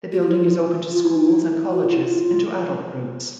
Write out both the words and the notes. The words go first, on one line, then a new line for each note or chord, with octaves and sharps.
The building is open to schools and colleges and to adult groups.
F#4
F4
E4
F4
F4
E4
D#4
E4
F#4
F4
E4
F4